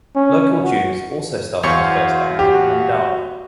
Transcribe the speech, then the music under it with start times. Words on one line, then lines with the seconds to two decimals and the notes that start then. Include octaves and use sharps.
Local Jews also started the first bank in Lendava.
0.16 C#4
0.63 F#4
1.63 E2 E4 F#4 C5 C#5 F5 G5 C#6
2.39 F#4 G4